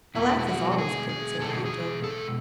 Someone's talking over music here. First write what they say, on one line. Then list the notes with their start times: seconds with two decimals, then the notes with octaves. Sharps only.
"A laugh is always good," said the Angel.
0.15 B2 G#3 E4
0.39 E4
0.47 F#4
0.72 A4
0.78 G#4
1.09 G#4
1.40 B2 G#3 A4
1.49 G#4
1.58 F#4
1.65 G#4
2.04 A4